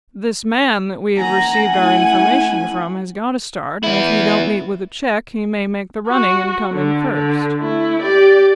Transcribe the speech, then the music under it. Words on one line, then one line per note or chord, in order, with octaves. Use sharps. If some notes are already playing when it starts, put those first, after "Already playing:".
This man that we have received our information from, has got a start, and if he don't meet with a check he may make the running and come in first.
A#3 C#4 F#5 G#5 A#5
A3 E4 G#5
B3 E4
F#4
D3
D3
A3 E4
G4 D5